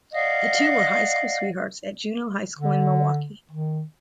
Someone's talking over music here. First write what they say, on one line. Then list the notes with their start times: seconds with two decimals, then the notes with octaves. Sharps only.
The two were high-school sweethearts at Juneau High School in Milwaukee.
0.12 D5 D#5 F5 F#5
2.58 D3
3.51 D#3